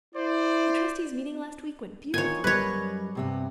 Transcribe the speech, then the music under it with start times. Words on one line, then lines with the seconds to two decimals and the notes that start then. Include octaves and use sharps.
The trustees' meeting last week went beautifully.
0.15 E4 C5 D5
2.14 D#3 D#4 F4 C#5 G#5
2.44 F#2 G3 B4 C#5 D#5
3.15 G2 C3 B3